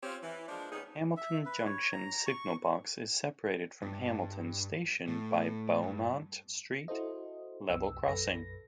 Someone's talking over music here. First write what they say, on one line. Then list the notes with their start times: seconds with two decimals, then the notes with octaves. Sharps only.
Hamilton Junction Signal Box is separated from Hamilton station by Beaumont Street level crossing.
0.03 C4 C#4 F4 G4 C#5
0.22 E3
0.49 F3 G#3 A#3 D4
0.72 C3 B3 C#4 D#4 G#4
1.17 E5
1.46 B4
1.66 C#5
1.92 A#5
2.26 C#6
3.82 G2
5.08 A2
5.82 G2
6.88 E4 F#4 A4 C5 D#5
7.70 C2 F#2 B3 E6
8.07 B1 F#2 A4 B4 A#6